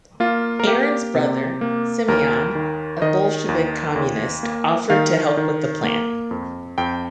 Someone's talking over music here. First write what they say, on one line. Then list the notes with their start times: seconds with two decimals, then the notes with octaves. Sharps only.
Aaron's brother, Semion, a Bolshevik communist, offered to help with the plan.
0.20 A#3 F4
0.60 A#4
0.67 A#3 G4
1.15 C3
1.61 A#3
2.08 D#2 A#4
2.55 D#3
3.02 D#3 D#5
3.49 D#2
3.96 D#2
4.43 A#3
4.90 D#3 F5
5.37 D#3
5.84 A#3
6.31 F2
6.78 F2 G5